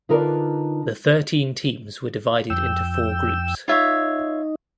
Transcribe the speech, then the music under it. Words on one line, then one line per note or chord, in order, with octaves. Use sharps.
The thirteen teams were divided into four groups.
D3 D#4 F4 A#4 B4 D5
F2 G5 E6
D#4 F4 C#5 E5